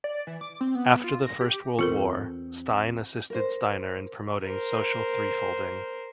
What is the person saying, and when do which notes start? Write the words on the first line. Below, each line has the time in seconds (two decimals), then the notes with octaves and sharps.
After the First World War, Stein assisted Steiner in promoting Social Threefolding.
0.04 D5
0.27 E3
0.41 D6
0.61 C4
0.75 B3
1.04 F4
1.23 A#6
1.41 G4
1.79 E2 C4 F4 A4 A#4
3.30 A#4 C5
4.42 A#4 C5